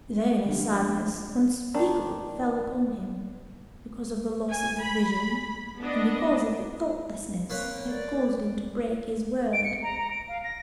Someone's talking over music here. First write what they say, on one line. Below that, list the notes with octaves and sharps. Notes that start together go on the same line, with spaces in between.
Then a sadness unspeakable fell upon him, because of the loss of the vision, and because of the thoughtlessness that had caused him to break his word.
F1 D3 G3
A#1 D4
D#3 D4
G#5
B5
B3 D4 D#5
A#3 C4 B4 C#5
D5
D7
C#7
A#5
A#5
D7
F5
A#6